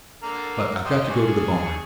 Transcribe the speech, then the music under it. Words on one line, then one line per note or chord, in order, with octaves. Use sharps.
But I've got to go to the barn.
D3 A#3 A#5
G4 C5 D#5
D4 G#4 C#6